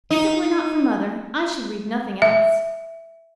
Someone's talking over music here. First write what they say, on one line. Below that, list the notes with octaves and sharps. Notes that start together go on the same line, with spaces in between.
If it were not for mother I should read nothing else.
D#4
E5